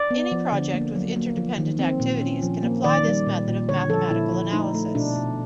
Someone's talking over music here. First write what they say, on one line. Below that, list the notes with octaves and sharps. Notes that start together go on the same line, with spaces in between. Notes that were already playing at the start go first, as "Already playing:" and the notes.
Any project with interdependent activities can apply this method of mathematical analysis.
Already playing: D5
B3
F3
D3
A#3
F#3
A#3
F3
D#3
C4
A#2
C#4
F3
A#3
D#3 D5
G3
A#2
A#2
D3 C#5
F3 A4
A#2 E4
F3
A3 D#4
A3
B2 D4
B2